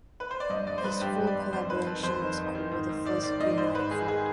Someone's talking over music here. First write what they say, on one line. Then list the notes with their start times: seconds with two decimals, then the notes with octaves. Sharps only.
This full collaboration was called the First United Front.
0.20 B4
0.31 C5
0.40 D5
0.50 G2 D#5
0.67 G2 D5
0.78 C5
0.84 G2 B4
1.01 G2 G4
1.18 G2
1.27 D5
1.35 G2
1.53 F2 C5
1.70 D#3 B4
1.87 F2
2.03 F2 C5
2.21 D#3
2.38 D#3
2.55 D#3
2.71 G#2
2.89 G#2
3.06 D#3 D5
3.23 G#2 D5
3.40 G#2 D#5
3.57 G#2 C5
3.74 G#2 B4
3.91 D#3 G#4
4.08 G#4